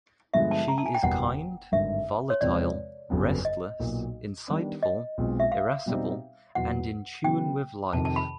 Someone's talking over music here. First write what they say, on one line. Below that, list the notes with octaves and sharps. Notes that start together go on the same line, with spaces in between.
She is kind, volatile, restless, insightful, irascible and in tune with life.
G2 D3 F3 G#3 B3 E5
A5
A#5
A5
G#5
G5
F#1 E2 B2 G3 B3 F#5
G#1 G2 D3 E5
C#5
E2 C3 F3 G#3 C4 D5
G1 F2 C#3 F#3 B3
D#5
B1 A#2 F#3
D#3 G3 B3 D4
D#5
B1 B2 G#3 C4 F4
E5
F5
B2 G3 C4 D#4
E2 B2 F#3 F#5
C#3 F#3 B3 G5
F2 C3 D#3 A5
A5
B5